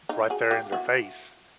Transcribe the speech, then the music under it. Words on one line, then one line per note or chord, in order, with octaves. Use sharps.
right there in their face
D#4 F4
F#4 G#4
F4 G4
E4 F#4